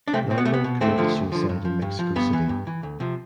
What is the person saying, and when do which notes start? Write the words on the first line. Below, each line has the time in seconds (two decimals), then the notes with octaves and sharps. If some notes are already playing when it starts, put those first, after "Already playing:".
Neumann committed suicide in Mexico City.
0.08 D4
0.13 C2 A3 C4
0.30 B2 C4
0.38 B3
0.45 C2 A3
0.54 B3
0.64 B2
0.81 D2 A3 C4
0.98 D3 F3
1.15 D2
1.32 D3 F3
1.49 G2
1.65 F3
1.82 G2
1.99 F3
2.16 G2 B3
2.33 E3
2.49 G2
2.67 E3
2.83 D2
3.00 C3 F3